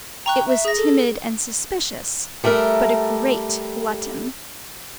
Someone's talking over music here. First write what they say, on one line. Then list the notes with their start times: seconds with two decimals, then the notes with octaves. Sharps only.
It was timid and suspicious, but a great glutton.
0.26 G5 A#5 C#6 F#6
0.48 E5
0.65 G#4 A#6
0.78 A4
2.44 G3 A3 A4 A#4